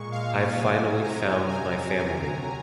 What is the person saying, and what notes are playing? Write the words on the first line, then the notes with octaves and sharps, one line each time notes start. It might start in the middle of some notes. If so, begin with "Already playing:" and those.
I've finally found my family.
Already playing: A#2 G#3 C#6
F5
C3 F#3 G#5
A#5
G#5
G#5